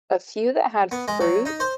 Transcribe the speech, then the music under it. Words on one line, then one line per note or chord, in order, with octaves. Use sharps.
a few that had fruit
B3
G#3
F#3
D#4
C5